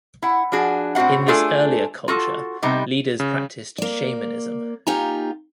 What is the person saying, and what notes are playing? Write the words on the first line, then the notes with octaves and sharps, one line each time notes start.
In this earlier culture, leaders practiced shamanism.
E4 F#5
F3 D4 F#4 G#4
A2 C4 F#4 F5 F#5
A3 D4 F4 G#4 A4 G#5
F4 F#4 A4
C3 G3 B3 D#4
C#3
A#3 D5
A#3 D#4 F4 G4 G#5 A#5